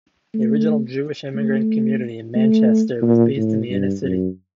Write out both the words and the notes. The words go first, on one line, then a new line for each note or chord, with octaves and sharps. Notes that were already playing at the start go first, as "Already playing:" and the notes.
The original Jewish immigrant community in Manchester was based in the inner city.
A3
A3
A3
A#2
A2
G2
F#2